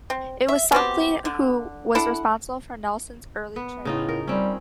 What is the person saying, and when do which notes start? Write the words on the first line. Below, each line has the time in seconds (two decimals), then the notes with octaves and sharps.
It was Suckling who was responsible for Nelson's early training.
0.10 C4
0.48 E5
0.72 B3 C4 F#4 G4
1.25 D3
1.95 D4 E4 A4 F#5
3.56 B3
3.85 A2 C#3 D#4 F4
4.09 A#4
4.27 G3 C4 C#4